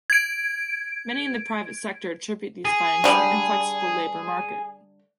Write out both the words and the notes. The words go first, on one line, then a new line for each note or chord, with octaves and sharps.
Many in the private sector attribute these findings to the inflexible labor market.
G#6 D7
G#4
D3 G3